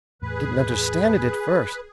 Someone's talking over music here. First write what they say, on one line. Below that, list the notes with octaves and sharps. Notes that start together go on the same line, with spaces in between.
I didn't understand it at first.
E2 A2 G#4 B4